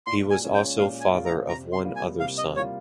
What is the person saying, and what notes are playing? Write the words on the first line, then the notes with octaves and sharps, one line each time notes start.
He was also father of one other son.
A#2 C6
G#5
G#3 C#4 F4
G5
A#2 F5
G#5
G#3 C#4 F4
A#5
C3 A#5
C6
G3 A#3 F4
G#5
C3 F5
D#5
G3 A#3 F4 C#5